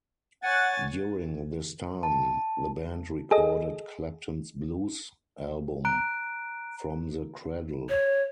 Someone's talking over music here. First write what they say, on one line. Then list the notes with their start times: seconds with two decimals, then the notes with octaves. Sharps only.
During this time, the band recorded Clapton's blues album "From the Cradle".
0.44 C#5 F#5 G#5 A6
2.03 A5
3.31 G#4 A4 D#5
5.85 A#5 F#6 D7
7.89 C#5